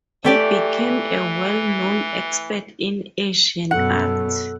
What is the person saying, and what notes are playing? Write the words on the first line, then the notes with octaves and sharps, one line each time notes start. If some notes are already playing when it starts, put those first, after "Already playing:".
He became a well-known expert in Asian art.
E3 A3 G4 D5
F#2 B2 A4 F#5